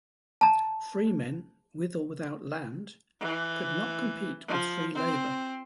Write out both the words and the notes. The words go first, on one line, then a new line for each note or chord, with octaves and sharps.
Freemen with or without land could not compete with free labor.
A5 A#5
E3
F3
C4